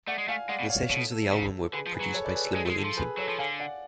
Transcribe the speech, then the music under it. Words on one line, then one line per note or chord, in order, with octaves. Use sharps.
The sessions for the album were produced by Slim Williamson.
A3 D5 F#5
G#3
A3 F5 G#5
G#3 D5 F#5
B2
C#5 F5
B2 A4 C#5
A4
C#3
D3 G#4 B4
F3
G#4 B4
F#3
A4 C#5
B4 D5
G#4 B4
A4
G#3 G#4
A3
G#3
D3 A4
F3
G#4 B4
F#3 A4 C#5
F3
D3 F5 G#5
D5 F#5